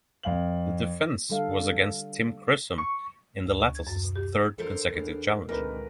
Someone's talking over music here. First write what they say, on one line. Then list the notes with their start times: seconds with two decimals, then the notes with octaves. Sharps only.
The defence was against Tim Chisholm in the latter's third consecutive challenge.
0.23 F2 F5 F#7
1.29 D3 G3 A4 F5
2.78 C#6
3.45 D2
3.60 C#6
3.75 G#6
3.87 F#2
4.04 B2
4.16 G4
4.58 D3 A4 A#4 C5 E5
4.92 E2 B3 D4
5.49 C#2 A#2 D3 D#3 C4 E4 A#4 B4